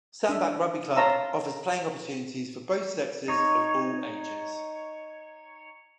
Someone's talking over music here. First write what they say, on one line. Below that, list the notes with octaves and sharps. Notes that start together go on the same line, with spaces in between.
Sandbach Rugby Club offers playing opportunities for both sexes of all ages.
D4 E5
C#5 F5 A5 A#5 C6 E6
D#4 C#5